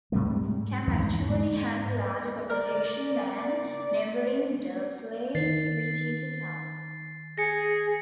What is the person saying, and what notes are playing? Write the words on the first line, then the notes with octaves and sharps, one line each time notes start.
Cam actually has a larger population than neighbouring Dursley, which is a town.
G#2 C3 G3 A3
E2 G#2 D3 E3
G#2
A#4 D5
D#3 A6 C7
G#4 A#6 C#7